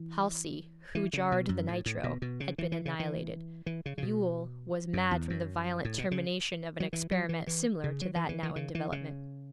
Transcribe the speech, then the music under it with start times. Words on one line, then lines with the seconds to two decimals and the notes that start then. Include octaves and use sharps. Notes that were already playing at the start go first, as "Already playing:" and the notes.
Halsey, who jarred the nitro, had been annihilated. Ewell was mad from the violent termination of an experiment similar to that now in development.
Already playing: E3
0.95 E3
1.13 C#3
1.32 B2
1.49 F#2
1.68 A2
1.86 A2
2.04 B2
2.22 B2
2.40 C#3
2.58 E3
2.72 E3
2.86 C#3
3.00 E3
3.66 E3
3.86 C#3
3.98 C#3
4.03 B2
4.93 F#2
5.11 E2
5.30 F#2
5.85 A2
5.98 B2
6.11 C#3
6.80 F#3
6.93 E3
7.11 F#3
7.29 E3
7.47 E3
7.84 C#3
8.02 F#3
8.16 E3
8.29 E3
8.43 E3
8.56 C#3
8.75 E3
8.92 C#3